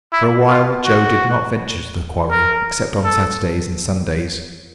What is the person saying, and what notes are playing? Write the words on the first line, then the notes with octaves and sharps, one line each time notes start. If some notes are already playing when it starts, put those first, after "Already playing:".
For a while Joe did not venture to the quarry except on Saturdays and Sundays.
E4
F4
F#4
A#4
A4